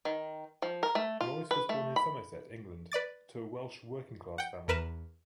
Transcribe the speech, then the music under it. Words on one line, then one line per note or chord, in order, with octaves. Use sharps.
Morris was born in Somerset, England, to a Welsh working-class family.
D#3
F3
A#4
A3
F4
B4
A3
B5
B4 D5 D6 A6
F#5 G5
E2 A#4 B4 F6 E7